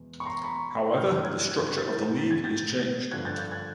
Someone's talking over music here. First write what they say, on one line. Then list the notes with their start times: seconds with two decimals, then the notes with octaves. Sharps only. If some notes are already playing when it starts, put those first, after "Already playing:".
However the structure of the league is changed.
Already playing: E2 B2 G#3 B3
0.20 C#6
0.25 A#5 C6
0.44 B5 C#6
0.97 G2 E3 G#3 C4 F6 G6
1.24 F#6 G#6
1.51 F#6 G#6
1.77 G6 A6
2.18 A6
2.31 G#6
2.44 G6 A6
3.11 G2 D3 F3 F#6 G#6
3.25 G6 A6
3.38 G6 A6
3.51 F#6 G#6